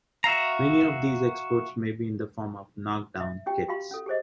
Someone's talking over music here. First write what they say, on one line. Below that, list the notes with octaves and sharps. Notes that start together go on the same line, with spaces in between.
Many of these exports may be in the form of knock-down kits.
F#4 E5 F5 A#5
E5
C#4 G4 G5
F#4 G4 F5 B5 C6
C#4 A4
G4 G#4 C5 D#5